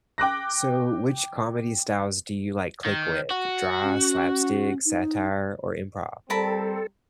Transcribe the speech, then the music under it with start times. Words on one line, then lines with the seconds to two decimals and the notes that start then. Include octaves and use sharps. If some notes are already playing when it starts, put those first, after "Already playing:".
So which comedy styles do you, like, click with? Dry, slapstick, satire, or improv?
0.18 G5 D6 F#6 A#6
2.85 D#3
3.30 F#4
3.83 C#4
4.85 D#4
6.30 G3 C4 A4 A#4 A5 B5